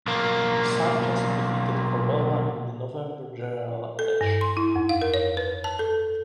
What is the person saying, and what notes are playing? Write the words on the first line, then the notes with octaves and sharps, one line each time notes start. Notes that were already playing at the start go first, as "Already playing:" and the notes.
Sanchez defeated Cordova in the November general election.
B1 A#3
A4
G2
C6
E4
F2
F5
A#4
C#5
B4
A5
A4